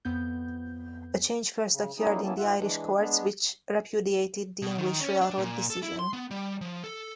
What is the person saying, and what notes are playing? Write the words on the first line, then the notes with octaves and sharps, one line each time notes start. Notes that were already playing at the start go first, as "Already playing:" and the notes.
A change first occurred in the Irish courts which repudiated the English railroad decision.
F2 B3 G6
C#3
G3 A#3 C#4 D#4 E4 G#4
A#3 B3 C#4 E4 A5
G#2 F4 E5 F#5
E3 G#3 D4
G#3 B3 D4
B2
D#3
C#4
D4
A#2
A4
E4
C6
B3
G3
F3
A4